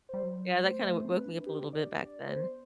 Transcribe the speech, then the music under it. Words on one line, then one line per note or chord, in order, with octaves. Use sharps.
Yeah, that kinda w woke me up a little bit back then.
G3 C5
F#3
G3
A3 C5
A3
C5
C4
B4
D4
G4
D5
D5
B3 C5